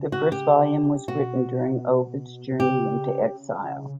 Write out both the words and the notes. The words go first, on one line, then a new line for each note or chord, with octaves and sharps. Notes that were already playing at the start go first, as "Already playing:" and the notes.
The first volume was written during Ovid's journey into exile.
Already playing: C#3
F#4
G4
B2 F#4
B2
C#3 G4